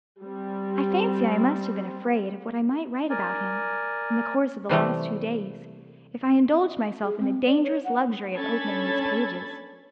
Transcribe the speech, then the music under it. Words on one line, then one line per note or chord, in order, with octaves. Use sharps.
I fancy I must have been afraid of what I might write about him, in the course of the last two days, if I indulged myself in the dangerous luxury of opening these pages.
G3 C4
A#4 D5 G#5
C3 E3 G3 A3
G#4
C4
D5
C#5
F#5
C#4 D4 A4 B5 G#6 A6